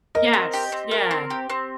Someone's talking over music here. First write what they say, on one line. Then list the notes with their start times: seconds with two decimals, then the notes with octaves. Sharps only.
Yes, yeah.
0.15 A#4 D#5
0.33 C4
0.53 G4
0.72 C4
0.91 A#4
1.11 C4
1.30 G4
1.50 C4